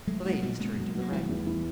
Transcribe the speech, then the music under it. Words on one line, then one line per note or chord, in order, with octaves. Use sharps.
The ladies turned to the right.
F#3 G#3 A3
F#3 G#3 A#3
B2 G3 A3
G#3 A#3 C#4
F#3
F#3
A#3
E3 G3 A3
E2
E3